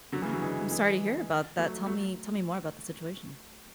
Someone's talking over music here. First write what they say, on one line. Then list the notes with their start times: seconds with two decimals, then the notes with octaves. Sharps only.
No, I'm sorry to hear about that, tell me tell me more about the situation.
0.12 D3 F#3
0.22 C#3 E3
0.33 D3 F#3
0.42 E3 G#3
0.71 E3 G#3
1.58 F#3 A3
1.86 F#3 A3